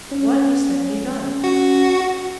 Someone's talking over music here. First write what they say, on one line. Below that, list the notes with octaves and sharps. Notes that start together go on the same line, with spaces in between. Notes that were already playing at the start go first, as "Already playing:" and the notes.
"What must then be done?"
C#4
F#4